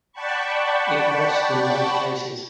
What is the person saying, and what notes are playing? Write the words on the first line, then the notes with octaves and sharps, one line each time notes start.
It lost in both cases.
D5 F#5 G5 A5 B5 C#6